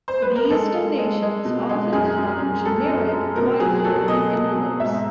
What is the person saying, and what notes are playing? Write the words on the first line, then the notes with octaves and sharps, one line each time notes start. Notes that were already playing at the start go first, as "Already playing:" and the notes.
These donations often come in generic, white-colored envelopes.
C5
B4
A#4
G#3 A4
G#3
G#3
G#3
B2
G#3
F#2 G#4
F#2
F#2
F#2 A4
F#2
F#2
B2 A#4
F#3 G#4
F#3 A4
B2 D#5
B2
B2
G#2 E5